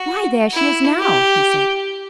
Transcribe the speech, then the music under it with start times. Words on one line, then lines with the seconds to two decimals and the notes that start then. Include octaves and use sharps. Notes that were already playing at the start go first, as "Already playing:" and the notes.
"Why, there she is now!" he said.
Already playing: F#4
0.53 E4
1.00 G4